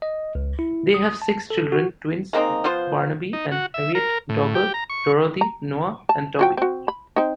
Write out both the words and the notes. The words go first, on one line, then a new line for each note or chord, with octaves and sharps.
They have six children, twins Barnaby and Harriet, Dougal, Dorothy, Noah and Toby.
D#5
C#2
E4
D#6
A5
A4
F#4
G#3 A#3 C4 D#4
F3 B3 F4 C5
D#4
F#4
E5
A#4
A2
G4
A#5
C#6
A#5
A5
F3 F#4 G5
C4 F#4
B5
C4 D#4